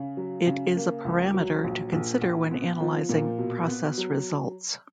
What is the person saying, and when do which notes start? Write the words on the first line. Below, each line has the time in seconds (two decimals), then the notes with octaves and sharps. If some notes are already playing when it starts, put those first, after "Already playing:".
It is a parameter to consider when analyzing process results.
Already playing: C#3
0.17 F#3
0.46 C#3
0.76 A#3
1.05 C#2
1.34 F#3
1.64 A#1
1.92 A#1
2.21 A#1
2.51 B3
2.81 F3
3.09 A#2
3.38 B2
3.68 B3
3.98 F#3